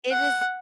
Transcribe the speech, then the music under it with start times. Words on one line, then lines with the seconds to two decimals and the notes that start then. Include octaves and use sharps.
It is
0.11 F#5